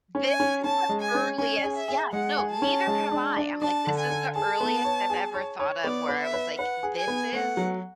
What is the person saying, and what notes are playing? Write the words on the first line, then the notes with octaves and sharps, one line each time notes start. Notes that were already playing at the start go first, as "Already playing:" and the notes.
this is the earliest Yeah, no, neither have I, I'm like, this is the earliest I've ever thought of where I was like, "This is
C#4
G#5
C#4
C#4 A5
G#3
G#5
C#4
C#4 G#5
G#4
E5
G#4
G#3 F#5
G#4
A5
C#4
G#3
D4
D4
D4 A5
D3
G#5
A4
G#4 A5
B3
C#5
G#4
C#5
C#5
B3 D5
B4
E5
B4
B4 F#5
G#4
G#5
B3
A3 F#5
F#3